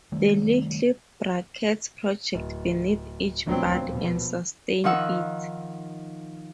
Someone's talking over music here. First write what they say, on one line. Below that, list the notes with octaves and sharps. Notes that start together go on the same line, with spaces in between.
The little brackets project beneath each bud and sustain it.
D#3 G3 A3
D1
D#1 D2 F3 F#3 B3 C4 D4
B2
D#3 F3 D#4 F#5 E6